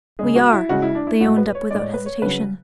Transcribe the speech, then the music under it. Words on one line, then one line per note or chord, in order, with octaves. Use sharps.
"We are," they owned up without hesitation.
C#3 G#3 G#4
F#4
E4
C#3 G#3 F#4
E4
D4
E4
A2 G#3 F#4
B4
C#5
A2 G#3 D5
C#5
B4
C#5
C#3 F#3 B4